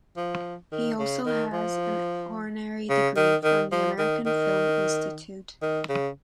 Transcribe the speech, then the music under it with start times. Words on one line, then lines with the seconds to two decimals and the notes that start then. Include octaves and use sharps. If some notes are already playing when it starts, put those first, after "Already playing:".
He also has an honorary degree from the American Film Institute.
0.17 F3
0.72 D#3
0.99 C#3
1.25 D#3
1.53 F3
2.89 C#3
3.16 D#3
3.44 D#3
3.72 F3
3.98 D#3
4.26 D#3
5.62 D#3
5.89 C#3